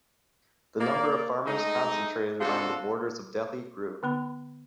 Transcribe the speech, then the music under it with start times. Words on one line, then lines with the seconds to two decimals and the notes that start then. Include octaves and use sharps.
The number of farmers concentrated around the borders of Delhi grew.
0.80 A#3 D5
1.46 G#3 A3 D#4
2.41 C3 D4 F4 F#4 A4
4.03 D3 B3 B5